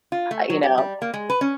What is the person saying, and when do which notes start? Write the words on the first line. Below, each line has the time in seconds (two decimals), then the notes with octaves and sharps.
uh, you know.
0.12 F4
0.31 A3
0.50 F#3
0.63 G4
0.78 G3
1.02 A#3
1.14 G#3
1.30 B4
1.41 C#4